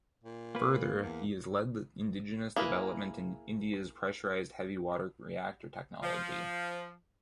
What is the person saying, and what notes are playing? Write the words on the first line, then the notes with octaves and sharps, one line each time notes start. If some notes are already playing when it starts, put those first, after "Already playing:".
Further he has led the indigenous development in India's Pressurised Heavy Water Reactor Technology.
A#2
A#3 B4
E2
A#3 E4 G#4 A#4 B4
F3